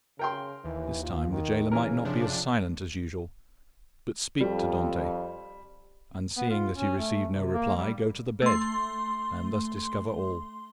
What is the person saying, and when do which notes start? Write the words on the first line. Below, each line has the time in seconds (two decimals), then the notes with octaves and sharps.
This time the jailer might not be as silent as usual, but speak to Dantes, and seeing that he received no reply, go to the bed, and thus discover all.
0.19 C#3 A#4 G5 C6
0.65 D#2 E3
1.03 F4
1.32 D#3
1.71 C#3 E3 A#4
2.05 C3 F3 D4
4.41 F2 G3
6.37 B3
6.50 F4
6.75 C#4
6.98 A3
7.31 C3
7.54 A#3
7.76 G3
8.42 A3 C6